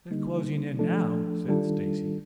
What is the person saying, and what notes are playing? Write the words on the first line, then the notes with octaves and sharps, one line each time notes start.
"They're closing in now," said Stacy.
D3 G3 A#3 D#4
F3 A3 D4 A4
D#3 G3 D4 F4 A4